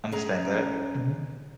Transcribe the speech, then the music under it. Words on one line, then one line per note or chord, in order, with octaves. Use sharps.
understand that, mhm.
C#4 G#4 A#5